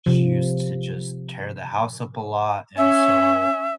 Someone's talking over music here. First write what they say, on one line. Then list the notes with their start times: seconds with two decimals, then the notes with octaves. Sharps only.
she used to just tear the house up a lot, and so
0.06 C3 F3
2.77 C#4 E5